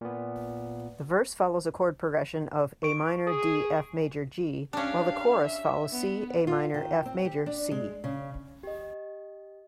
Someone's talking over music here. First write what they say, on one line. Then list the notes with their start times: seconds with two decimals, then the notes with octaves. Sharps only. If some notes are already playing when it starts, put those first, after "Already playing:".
The verse follows a chord progression of Am-D-Fmaj-G while the chorus follows C-Am-Fmaj-C.
0.01 A#2 B3
2.83 C#6 D7
3.27 G#4 D#6
4.73 C#4 D4 G4 F5
5.45 E5
5.92 B3
6.47 F4
6.74 D#3
7.06 C4
7.25 G4
7.46 D4
7.71 G#3
8.04 C#3
8.63 G4 D#5